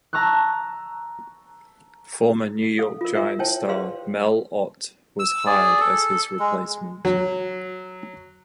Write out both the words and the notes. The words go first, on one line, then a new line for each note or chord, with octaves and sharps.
Former New York Giants star Mel Ott was hired as his replacement.
A5 A#5 C#6 E6 F#6
A4 F5
F4 A#4
F4 A#4 E5
E4 C5 C#5 G5 A5
G#4 B4 C5 D5 F5 C6
E6
G#4 D5
A4
G#3
F#3